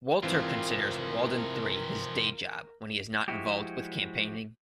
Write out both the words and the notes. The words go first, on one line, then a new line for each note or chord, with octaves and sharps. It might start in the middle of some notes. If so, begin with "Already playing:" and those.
Walter considers Walden Three his "day job" when he is not involved with campaigning.
G#1 C3 E3 F3 C4 F4 A#4
F3 G#3 E4 F#4 G4